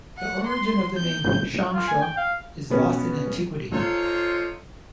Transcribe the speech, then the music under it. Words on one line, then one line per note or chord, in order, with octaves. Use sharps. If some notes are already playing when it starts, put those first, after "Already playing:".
The origin of the name "Changsha" is lost in antiquity.
F#5
C6
G6
F4
G#5
G5
F5
B2 B3 C#4 F#4
D#4 F4 A4 C5 C#5